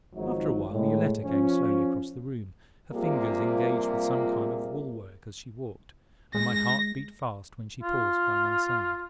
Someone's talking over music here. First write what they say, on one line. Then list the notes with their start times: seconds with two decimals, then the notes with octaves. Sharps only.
After a while Yoletta came slowly across the room, her fingers engaged with some kind of wool-work as she walked, and my heart beat fast when she paused by my side.
0.15 G#1 G#2 F3 F#3 D#4
0.72 A2 G#3
1.22 F3 C#4
2.92 C3 F3 G3 A#3 F4 G#4
6.35 G#3 A#6
7.83 F4